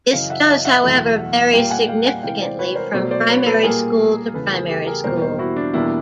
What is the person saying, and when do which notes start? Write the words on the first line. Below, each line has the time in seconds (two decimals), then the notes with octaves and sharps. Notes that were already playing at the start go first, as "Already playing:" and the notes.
This does, however vary significantly from primary school to primary school.
0.13 F#2 C#3 E3 D#5 F5
0.30 E5 F#5
0.48 D#5 F5
0.65 E5 F#5
0.83 E2 B2 F#3 A3
1.53 A#2 G3 A#3 F5 G5
1.71 F#5 G#5
1.88 F5 G5
2.06 F#5 G#5
2.23 C3 E3 G#3 F5 G5
2.41 C5 D5
2.59 B4 C#5
2.76 A#4 C5
2.93 B2 F#3 A3 C5 D5
3.11 C5 D5
3.28 B4 C#5
3.46 A4 B4
3.63 A#2 G3 A#3 G#4 A#4
4.33 E2 C#3 E3 A3 A4 B4
4.52 G#4 A#4
4.69 G4 A4
4.86 G#4 A#4
5.04 E2 B2 G3 A#3 A#4 C5
5.21 A#4 C5
5.38 E4 F#4
5.56 D4
5.74 E2 B2 G3 A#3 D4 E4